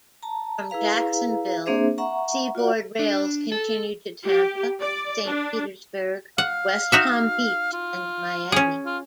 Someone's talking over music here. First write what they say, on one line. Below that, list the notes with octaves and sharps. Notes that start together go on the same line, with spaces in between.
From Jacksonville, Seaboard rails continued to Tampa, Saint Petersburg, West Palm Beach and Miami.
A5 A#5
E4 G#4 B4 F5 A#5
A#3 C4 D4 G#4 C5 E5
E5 F#5 A#5 C#6
F4 F#4 D5 F#5
D4
A4
G4
D5
D4
F5 F#5
D#4 F#4 E5
F4
C#4 G#4
F4